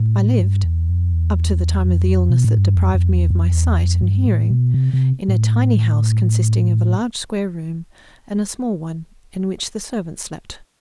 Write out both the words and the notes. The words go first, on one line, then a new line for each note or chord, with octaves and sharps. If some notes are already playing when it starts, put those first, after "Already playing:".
I lived, up to the time of the illness that deprived me of my sight and hearing, in a tiny house consisting of a large square room and a small one, in which the servant slept.
Already playing: A2
G2
E2
F2
E2
F2
B2
A2
G2
F2
F2
E2
F2
E2
F2
G2
A2
B2
C3
C3
A2